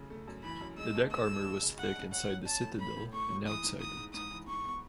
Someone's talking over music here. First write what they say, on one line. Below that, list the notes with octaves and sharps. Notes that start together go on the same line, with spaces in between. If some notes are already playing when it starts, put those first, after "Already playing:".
The deck armor was thick inside the citadel and outside it.
Already playing: F#2 C#3 E3 A3
A3
F#2
E3 B5
F#2
G#3 E6
D#2
G#3 E6
G#3
D#2
C#3
G#3 F#5
C#3
C#4 F#5
F#3
C#4 A5
A2
A2 B5
A2
A2 C#6
F#3
E3 D#6
G#2
G#2 D#6
G#2
G#2 D#6
E3
G#2 C#6
B3